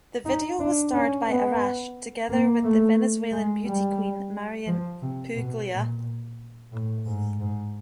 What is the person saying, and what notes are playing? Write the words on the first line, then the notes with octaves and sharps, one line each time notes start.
The video was starred by Arash, together with the Venezuelan beauty queen, Marianne Puglia.
D#4
D4
C#4
B3
A#3
A3
G#3
G3
F3
C3
B2
A#2
A2
G#2
G#2